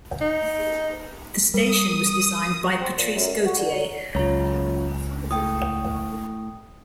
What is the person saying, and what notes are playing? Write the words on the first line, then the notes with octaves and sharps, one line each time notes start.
The station was designed by Patrice Gauthier.
D#4
G3 A#4 D#6
C4
A#2
F#2
E2
F#4
D3
F#3
C#2 F#2 F4 C#5 A#5
A2 G5 D#6